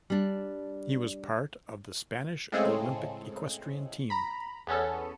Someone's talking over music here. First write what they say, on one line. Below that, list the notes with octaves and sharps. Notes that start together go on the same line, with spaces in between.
He was part of the Spanish Olympic equestrian team.
G3 D4
A2 C#3 G#3 C4 G#4 A4
A#5 B5
E2 B3 C#4 A4